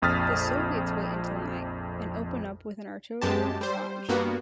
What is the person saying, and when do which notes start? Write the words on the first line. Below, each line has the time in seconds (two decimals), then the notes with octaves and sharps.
The Soviets wait until night, and open up with an artillery barrage.
0.02 A#1 F2 D#6 F6 A6 B6
3.22 F#2 G#3 G4 A5
3.61 G3 C5
4.09 G2 A#3 B3 F#4